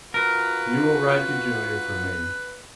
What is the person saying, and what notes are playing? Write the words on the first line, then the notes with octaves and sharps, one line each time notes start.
You will write to Julia for me.
F4 F#4 A#4 B4